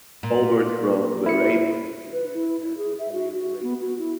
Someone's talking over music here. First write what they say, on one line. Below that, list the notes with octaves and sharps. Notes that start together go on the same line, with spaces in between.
"Albert" from The Railway Series has this wheel arrangement.
A#2
E4 C#7
B4
E4
E4
G#4
E5
F#4
F#4
B3
F#4
E4